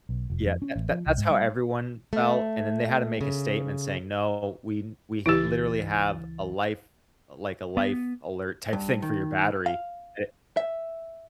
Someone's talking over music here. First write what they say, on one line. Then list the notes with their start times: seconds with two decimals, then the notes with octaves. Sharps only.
Yeah. That that that's how everyone felt, and then they had to make a statement saying, "No, we we ha literally have a life, like, a life alert type thing for your battery." That
0.09 B1
0.30 F1
0.46 F2
0.62 C#4
0.76 A1
0.91 F3
1.06 C2
1.18 G#2
1.30 G3
2.13 A3
3.21 C#3
5.26 C#2 E3 E4 G4 A6
7.77 B3
8.73 G2
9.02 D#3
9.66 F5
10.57 E5